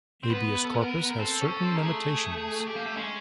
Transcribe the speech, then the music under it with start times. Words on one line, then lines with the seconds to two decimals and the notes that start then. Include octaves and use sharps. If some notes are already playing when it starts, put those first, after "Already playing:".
"Habeas corpus" has certain limitations.
0.23 C4
0.30 B3 B4
0.65 A4
0.75 A#4
1.11 A#4
1.19 C4 A4
1.41 C#4
1.49 A4
1.64 C4
1.75 A#3 G#4
1.86 A3
2.08 G#4
2.38 G#4
2.61 G#4
2.68 G4
2.76 A#3
2.86 A3
2.96 G#3 C#4